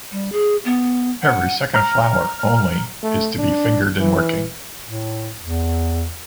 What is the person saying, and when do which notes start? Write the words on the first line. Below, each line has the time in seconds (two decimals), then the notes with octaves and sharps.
Every second flower, only, is to be fingered in working.
0.11 G3
0.32 G#4
0.65 B3
1.22 F#5
1.75 A#5 F6
3.04 A3
3.39 D4
4.00 E3
4.85 A2
5.39 E2